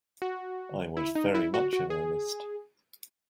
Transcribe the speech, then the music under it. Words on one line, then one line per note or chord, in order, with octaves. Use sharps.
I was very much in earnest.
F#4
E4
D#4
E4
F#4
F#4
G#4